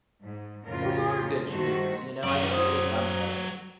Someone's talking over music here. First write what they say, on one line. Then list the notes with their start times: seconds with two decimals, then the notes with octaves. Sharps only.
Those are good shoes. You know, I never really thought about it,
0.24 G#2
0.67 F2 A2 C#3 F4 A#4
1.47 G2 D#3 A3 F#4 C5
2.23 F#2 F#3 D5
2.51 C5 D#6